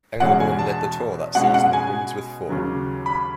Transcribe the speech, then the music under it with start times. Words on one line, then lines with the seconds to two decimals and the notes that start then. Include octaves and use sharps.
Englehorn led the tour that season in wins with four.
0.20 E2 B2 G#3 C#4 F#5
0.40 G#5
0.59 A5
1.35 B2 G#3 C#4 F#5
1.54 F#5
1.73 G#5
2.49 D#2 C#3 F#3
3.06 B5